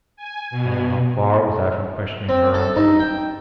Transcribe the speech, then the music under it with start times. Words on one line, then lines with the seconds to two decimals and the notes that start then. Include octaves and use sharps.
How far was I from questioning her unbelief!
0.16 G#5
0.50 B2
2.29 C4
2.54 A4
2.76 D#4
2.99 G5